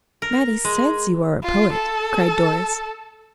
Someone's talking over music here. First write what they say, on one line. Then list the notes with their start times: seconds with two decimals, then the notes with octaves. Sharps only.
"Mattie says you are a poet!" cried Doris.
0.22 A#4
0.64 G#3
1.43 F4
1.72 A4